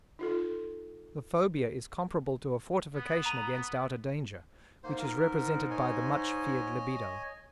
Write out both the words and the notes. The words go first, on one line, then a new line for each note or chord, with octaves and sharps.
The phobia is comparable to a fortification against outer danger, which is represented by the much feared libido.
D#4 F4 A4
B3
A#5 D#7
G#2 A#3 C5
A#4
C#5 D#5 G#5